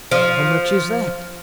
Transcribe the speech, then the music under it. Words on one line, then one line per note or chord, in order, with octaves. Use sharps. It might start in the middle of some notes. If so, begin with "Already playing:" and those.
"How much is that?"
F3